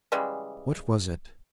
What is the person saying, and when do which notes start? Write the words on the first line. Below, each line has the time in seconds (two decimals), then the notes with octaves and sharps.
What was it?...
0.12 C#3 E3 G3 G#3